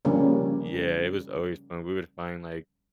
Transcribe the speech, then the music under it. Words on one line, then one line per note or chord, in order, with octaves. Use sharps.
Yeah, it was always fun. We would find, like,
C#3 F3 G3 A#3 C#4 D4